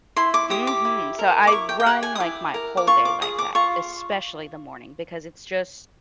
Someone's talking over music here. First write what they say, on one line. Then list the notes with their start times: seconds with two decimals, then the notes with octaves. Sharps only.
Mhm, so, I run, like, my whole day like that, especially the morning because it's just
0.16 E4 C6
0.34 D6
0.50 G4 D#6
0.67 D6
0.85 E4
1.19 A#4
1.47 D6
1.51 E4 C#6
1.69 G5
1.80 G5
1.86 G4 F#5
2.03 G#5
2.15 D#6
2.20 E4 D6
2.54 A#4
2.77 D6
2.87 F4 C#6
3.05 D6
3.22 G#4 D#6
3.38 D6
3.55 F4 C#6